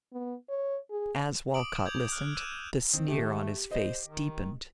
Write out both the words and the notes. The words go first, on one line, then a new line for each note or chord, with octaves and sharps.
As Walcott listened, the sneer on his face deepened.
B3
C#5
G#4
D6 D#6 D7 F#7
G6 G#6 F7 F#7
D#6 F6 F#6
E6 F#6 D#7 E7
D#3 C4
A3 G4
C5 D#5
D#3